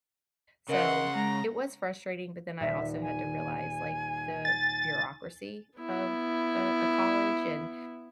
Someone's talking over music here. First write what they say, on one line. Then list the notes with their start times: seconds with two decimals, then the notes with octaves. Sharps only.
So, it was frustrating, but then I also had to realize, like, the bureaucracy of a a college and
0.69 C#3 A#4 D#5 F#5 C6
1.15 G#3 A#5
2.60 D#1 E5 E7
3.02 G#5
4.45 A6
5.78 B3 E4